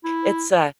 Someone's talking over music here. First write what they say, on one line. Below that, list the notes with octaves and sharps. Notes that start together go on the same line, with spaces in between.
it's a
E4